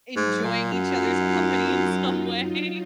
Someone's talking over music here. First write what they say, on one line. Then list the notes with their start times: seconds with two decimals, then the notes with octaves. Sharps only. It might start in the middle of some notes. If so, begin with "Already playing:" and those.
enjoying each other's company in some way.
0.16 G#2 F#3
0.45 A#2
0.58 F4
0.73 F#2
1.01 D#4